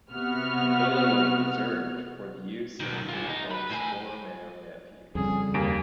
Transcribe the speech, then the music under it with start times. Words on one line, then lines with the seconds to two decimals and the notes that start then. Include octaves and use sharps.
The Villa was reserved for the use of the new pope's Borromeo nephews.
0.10 C3 B3 F#4 F6
2.80 B1 D#3
3.09 F4 G#4
3.29 D#4
3.51 B4 B5
3.70 A2 G#5
5.15 F2 C#3 G3 G#4
5.54 D#2 A#3 G#5 D7